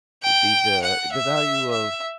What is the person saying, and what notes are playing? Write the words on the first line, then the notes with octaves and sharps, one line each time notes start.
would be the, the value of
G5
F#5
E5
E5